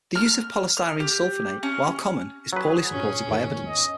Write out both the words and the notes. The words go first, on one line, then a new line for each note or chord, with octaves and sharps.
The use of polystyrene sulfonate, while common, is poorly supported by evidence.
F6
F6
G4
C#4
F#3 G#4 B4
G2 A#2 C#4
E2 G#2 D#3
D#5